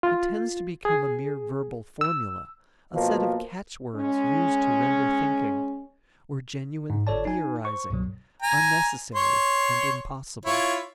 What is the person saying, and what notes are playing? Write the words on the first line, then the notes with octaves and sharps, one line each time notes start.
It tends to become a mere verbal formula, a set of catchwords used to render thinking, or genuine theorizing, unnecessary and impossible.
F4
G#4
E6
B2 F3 A#3
G#3 C#4
G#2
G1 A4 C#5 D5 A5
D#4 G#5
C5 C#6
C2 G2 B2 F#3
G#5 A#5
C#5 C6
E4 F4 C#5